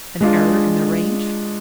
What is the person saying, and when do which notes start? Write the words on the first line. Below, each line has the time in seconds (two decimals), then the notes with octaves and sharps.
An error in the range?
0.21 G#3 D4 F4 G#4